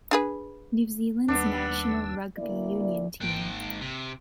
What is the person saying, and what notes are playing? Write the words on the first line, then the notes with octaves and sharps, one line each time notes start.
New Zealand's national rugby union team.
D4 G#4 B4
D#2 G3 B3 D4 E6
D2 A#3 E4 D5
G#1 G#2 A#3 G5 F#6
C3